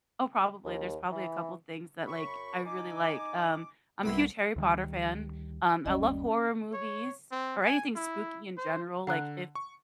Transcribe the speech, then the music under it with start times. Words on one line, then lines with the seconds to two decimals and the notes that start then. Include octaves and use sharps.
Oh, probably, there's probably a couple of things that, like, I really like. Um, I'm a huge Harry Potter fan, um, I love horror movies or anything spooky in general, like, if
0.65 D#2
1.12 E3
2.05 F#2 B5 C#6
2.65 D#4 G#5 D6
4.03 C2 B3 C4 E4 B5 C6
4.56 D2 D#3 G3
5.86 G1 D#2 G3 C#4 D5 D#5
6.73 C#5
7.31 C4
7.65 G#5
7.95 E4
8.57 C5
9.07 D3 F#5 A#5 F#6
9.55 C#6